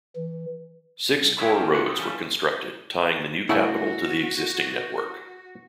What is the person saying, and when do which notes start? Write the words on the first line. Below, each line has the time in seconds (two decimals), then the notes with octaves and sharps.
Six core roads were constructed tying the new capital to the existing network.
0.16 E3
1.21 C2
1.39 E4 F4 G#4 B4 C#5 E5
1.54 C4 C#4 G4
1.72 G#2 A#3 C#4 F#5
1.85 B3 C4
1.99 E3 F3 G3 C#4
3.49 C#3 A3 E4 F#4 F#5